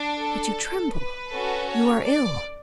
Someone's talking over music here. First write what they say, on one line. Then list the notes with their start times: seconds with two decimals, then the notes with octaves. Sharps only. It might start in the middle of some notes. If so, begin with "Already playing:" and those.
But you tremble--you are ill!
Already playing: D4
0.19 A4
0.93 B4
1.31 C#4 F#4 A4
1.68 C#5
2.05 D5